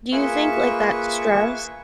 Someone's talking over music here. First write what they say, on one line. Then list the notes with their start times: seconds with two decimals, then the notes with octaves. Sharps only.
Do you think, like, that stress
0.12 A#3 F4 G#4 B4 E5 C#6